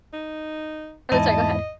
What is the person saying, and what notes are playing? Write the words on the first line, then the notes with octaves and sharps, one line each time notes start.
Oh, sorry, go ahead.
D#4
E2 G#2 E4 D#5 A5